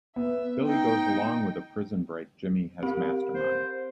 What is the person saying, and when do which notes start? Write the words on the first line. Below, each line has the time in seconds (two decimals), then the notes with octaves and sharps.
Billy goes along with a prison-break Jimmy has masterminded.
0.16 B3 E5
0.63 D#4 G5
2.83 C4 G4 A#4 F5
3.35 C5